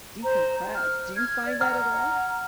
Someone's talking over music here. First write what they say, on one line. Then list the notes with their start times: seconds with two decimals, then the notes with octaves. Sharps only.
decompress." Do you find that at all?
0.22 C5 A#5
0.74 F6
1.16 F6 G#6
1.46 D5
1.61 F#5 A#5 F6